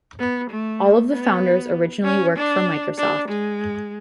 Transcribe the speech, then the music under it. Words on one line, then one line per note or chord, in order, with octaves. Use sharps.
All of the founders originally worked for Microsoft.
B3
A3
B3
C#4
D4
D4
G#3